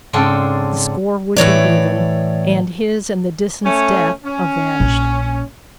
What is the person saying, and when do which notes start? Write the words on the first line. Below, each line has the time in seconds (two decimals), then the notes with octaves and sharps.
The score would be even, and his and the Disans' death avenged.
0.13 G#2 C#3 C4 D4 A4 A5
1.37 A2 E3 C#5 D5
3.65 A3 C#4 C#5
4.25 C#4
4.80 A#1